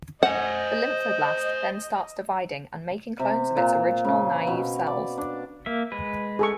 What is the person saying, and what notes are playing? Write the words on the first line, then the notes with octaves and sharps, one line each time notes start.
The lymphoblast then starts dividing and making clones of its original naive cells.
C5 D#5 F#5 G#5
C3
A#2
C#3
B2
D5
D4
A#3 E5
G#3 B4
G#4 A4 C#6